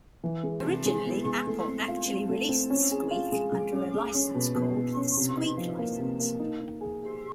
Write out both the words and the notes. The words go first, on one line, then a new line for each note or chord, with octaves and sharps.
Originally, Apple actually released Squeak under a license called the "Squeak License".
E3
G#3
C3
G#3
B3
G#3
A3
C4
F4
C4
A3
C4
C#4
G#4
F4
G#3
G#3
C#4
G#3
C#4
B2
B2
B2
C#4
C3
D#4
F3
A#3
C3
A#3
D#4
D#4
G#4
G#4